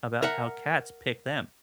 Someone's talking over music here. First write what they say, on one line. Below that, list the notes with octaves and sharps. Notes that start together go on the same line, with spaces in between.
about how cats pick them.
A#4 E5 F#5